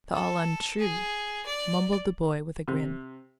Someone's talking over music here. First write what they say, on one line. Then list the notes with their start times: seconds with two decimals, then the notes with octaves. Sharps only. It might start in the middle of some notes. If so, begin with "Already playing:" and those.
"It's all untrue," mumbled the boy, with a grin.
0.13 A4
0.79 G#4
1.46 D5
2.68 C3